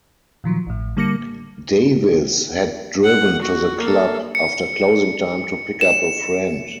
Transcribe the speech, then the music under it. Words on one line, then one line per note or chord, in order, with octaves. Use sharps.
Davis had driven to the club after closing time to pick up a friend.
A#2 D#3 F3 F#3
A1 A2
D3 G3 A#3 D6 A#6 C#7
F#5
F#4
A#3 A4
C#7
E7